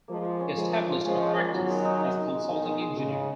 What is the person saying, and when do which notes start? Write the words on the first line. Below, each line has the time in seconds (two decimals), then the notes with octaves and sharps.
He established a practice as a consulting engineer.
0.08 F3 G#3 A#3
0.25 F4
0.40 C#4
0.56 F3 G#3 A#3
0.73 B4
0.89 F4
1.04 F3 G#3 C#4
1.21 C#4
1.37 A#3
1.53 D#3 F#3 B3
1.69 G#3
1.85 D#4
2.00 D#4
2.17 D#4
2.33 G#3
2.49 B2 D#3 G#3
2.65 G#3
2.82 G#3
2.97 C#3 G#3
3.14 G#3